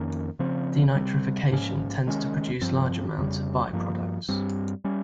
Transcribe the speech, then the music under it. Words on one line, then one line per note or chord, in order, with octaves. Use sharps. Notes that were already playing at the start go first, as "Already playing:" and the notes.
Denitrification tends to produce large amounts of by-products.
Already playing: F2 D#3 A#3 C#4
C#3 F3 C4
C3 G3 C4
G#2 F3 A#3 C#4
C3 D#3 G#3 C#4
G2 F3 C4
F2 C#3 G3
G2 F3 A#3
G2 G3 C4
G3 C#4